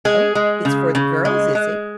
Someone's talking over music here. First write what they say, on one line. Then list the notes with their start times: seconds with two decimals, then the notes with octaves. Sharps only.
"O, it's for the girls, is it?"
0.05 G#3 G#4
0.35 G#3
0.65 C#3
0.95 C#3
1.25 G#3
1.55 G#3